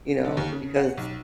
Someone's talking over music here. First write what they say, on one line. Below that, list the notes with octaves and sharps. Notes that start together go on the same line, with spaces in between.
you know, because
D3
D#2
C#3
F#5
B1